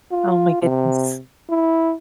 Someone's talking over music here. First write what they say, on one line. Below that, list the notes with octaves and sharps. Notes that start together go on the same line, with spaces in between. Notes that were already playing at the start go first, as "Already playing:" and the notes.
Oh my goodness.
F4
C3
E4